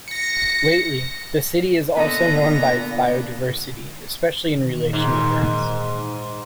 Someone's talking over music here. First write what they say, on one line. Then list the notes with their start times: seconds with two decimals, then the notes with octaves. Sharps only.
Lately, the city is also known by its biodiversity, especially in relation to birds.
0.08 A#6 C#7
1.97 A#2 D3 B3 A4 D#5 A#5
4.48 A#2 D#3 E3
4.93 G#2